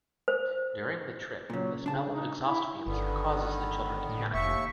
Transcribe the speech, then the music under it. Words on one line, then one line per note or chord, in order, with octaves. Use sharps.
During the trip, the smell of exhaust fumes causes the children to panic.
C5
A#2 C#3 F#3
C#3 D4 A5
D#4
E4
G1 D3 D#3 B3
A2
F1 D#2 E5 C#6